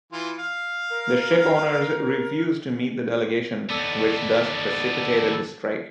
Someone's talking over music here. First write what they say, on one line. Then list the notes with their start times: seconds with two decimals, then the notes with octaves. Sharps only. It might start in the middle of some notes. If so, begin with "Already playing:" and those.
The Shipowners refused to meet the delegation, which thus precipitated the strike.
0.13 E3 F4
0.39 F5
0.90 A#4
3.70 D#2 B3 A4 D5